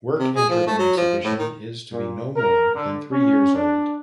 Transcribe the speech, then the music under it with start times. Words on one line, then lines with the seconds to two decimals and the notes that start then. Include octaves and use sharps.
Work entered in exhibition is to be no more than three years old.
0.19 C3
0.36 G#4
0.50 F3
0.67 A3
0.79 F#3
0.97 F3
1.24 A2
1.39 D#3
1.93 A#2
2.37 A#4
2.75 D3
3.12 C#4
3.55 D4